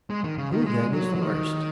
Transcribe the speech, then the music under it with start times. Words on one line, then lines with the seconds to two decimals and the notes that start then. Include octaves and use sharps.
'Who, then, is the worst?
0.10 G#3
0.24 D#3
0.38 C#3
0.52 D#3
0.66 G#3
0.93 F#3
1.15 F#3
1.22 D#3